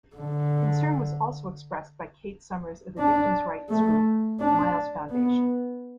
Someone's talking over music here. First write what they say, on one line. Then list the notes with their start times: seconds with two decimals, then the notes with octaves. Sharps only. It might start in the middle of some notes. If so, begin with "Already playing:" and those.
Concern was also expressed by Kate Summers of the victims rights group Miles Foundation.
0.16 D3
2.98 D4
3.69 A3
4.40 D4
5.10 B3